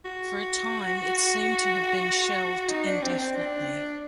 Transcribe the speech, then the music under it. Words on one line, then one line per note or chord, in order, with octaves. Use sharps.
For a time, it seemed to have been shelved indefinitely.
F#4
D#4
D4
C4
C4
D4